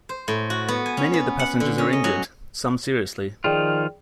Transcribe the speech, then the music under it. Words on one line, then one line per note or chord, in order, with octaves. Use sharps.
Many of the passengers are injured, some seriously.
C5
A2
F#4
B3
G#5
C#4
B3
F#5
D3
C#4
D#5
F#3
D#3 F3 F4 G#4 D5 G5